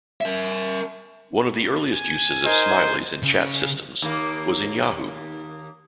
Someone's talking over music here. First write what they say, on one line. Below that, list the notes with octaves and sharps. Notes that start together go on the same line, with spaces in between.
One of the earliest uses of smileys in chat systems was in Yahoo!
A#4 E5
G#5
D#4 A#4 C5
C#3
D#2 A#3